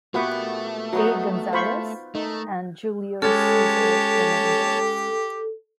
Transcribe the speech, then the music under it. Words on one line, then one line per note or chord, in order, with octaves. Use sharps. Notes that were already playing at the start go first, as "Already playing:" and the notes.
A. Gonzalez, and Julio Cesar Fernandez.
A#2 A3 B3 F#4 G4 B4 E5 F#5
F#3 B3 D#4 F#4
F4 C5 B5 C#6
A3 D#4
G#3 C#4 G4 A4 C#5 A5